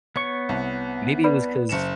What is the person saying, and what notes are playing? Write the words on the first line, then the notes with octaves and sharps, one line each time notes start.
maybe it was 'cause
B3 C#5 C#6 C#7
C2
B4 D5 B5
F#1 C#7 E7